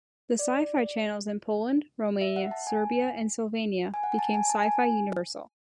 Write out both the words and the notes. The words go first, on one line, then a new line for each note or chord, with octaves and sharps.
The Sci Fi Channels in Poland, Romania, Serbia and Slovenia, became Sci Fi Universal.
D5
E5
F#5
A5
G#5
G#5
F#5
G#5
A5
G#5
A5
G#5